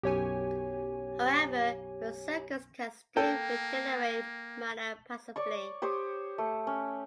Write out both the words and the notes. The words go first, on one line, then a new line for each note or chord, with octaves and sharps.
However, berserkers can still regenerate mana passively.
B1 F#2 G4 C#5 G#5
A#3 A4 G5
C#5 D5 C#6
G4 C5 C#5 D#6
A3
C#4